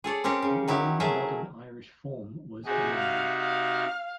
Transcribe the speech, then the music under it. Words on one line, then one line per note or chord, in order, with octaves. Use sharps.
The Early Modern Irish form was Aonghus.
G#4 A4 C#5 D5
C4 C#4 G4 A#4 C#5
C#3
D#3 F#3 E4 G4
F#3 A3 G#4 A#4 E5
C3 D#4 F#4 G#4
F5
F5